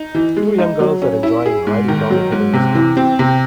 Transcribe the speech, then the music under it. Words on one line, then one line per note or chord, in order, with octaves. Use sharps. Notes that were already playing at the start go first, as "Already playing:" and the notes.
Two young girls are enjoying riding down a hill in the snow.
Already playing: D#4
E3
G#3
D#4
F#3
C#4
E4
G#4
G#2
D#3
F#3
G#2
C3
E3
C4
C3